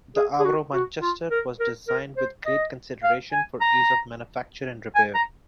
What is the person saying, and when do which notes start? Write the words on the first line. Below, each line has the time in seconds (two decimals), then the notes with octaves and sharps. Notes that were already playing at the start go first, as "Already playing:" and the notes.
The Avro Manchester was designed with great consideration for ease of manufacture and repair.
0.16 G#4
0.39 G#4
0.44 F#4
0.73 F#4
1.02 F4
1.31 A#4
1.60 A#4
1.88 A#4
2.17 C5
2.46 D#5
3.03 F5
3.32 G#5
3.61 A#5
4.95 G#5
5.14 A#5